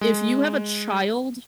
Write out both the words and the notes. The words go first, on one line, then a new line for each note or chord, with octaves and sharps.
If you have a child
G#3